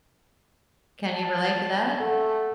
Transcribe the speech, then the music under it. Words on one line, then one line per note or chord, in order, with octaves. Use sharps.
Can you relate to that?
A5
A3 A4 F#5